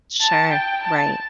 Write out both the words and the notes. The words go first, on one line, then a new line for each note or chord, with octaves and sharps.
Sure, right.
A5
G5
A5